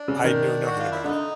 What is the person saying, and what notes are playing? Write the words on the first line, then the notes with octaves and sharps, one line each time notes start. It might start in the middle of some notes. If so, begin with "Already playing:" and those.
I know nothing about it.
Already playing: D4
C#3
D#3
F#4
F4
E4
D3 D#4